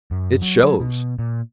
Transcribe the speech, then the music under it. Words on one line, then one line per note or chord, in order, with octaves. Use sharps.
It shows.
F#2
F#3
F#3
B2
A#2